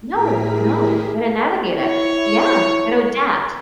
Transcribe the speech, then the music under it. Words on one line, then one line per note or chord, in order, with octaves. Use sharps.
No. No, gonna navigate it. Yeah, gotta adapt.
A2 E4 G4 G#4 A#4 B6
E4 C#5